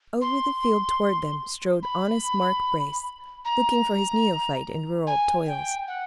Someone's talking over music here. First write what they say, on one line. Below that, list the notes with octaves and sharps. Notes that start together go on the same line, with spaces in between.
Over the field toward them strode honest Mark Brace, looking for his neophyte in rural toils.
C6
B5
A#5
G#5
G5
F#5